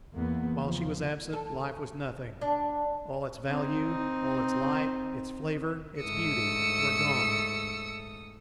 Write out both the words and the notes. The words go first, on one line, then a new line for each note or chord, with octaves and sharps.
While she was absent, life was nothing; all its value, all its light, its flavor, its beauty, were gone.
E2 A#3 B3
C#3 F3
A4
D4
C4 D#4
G#2 A3 D#6 E6 C#7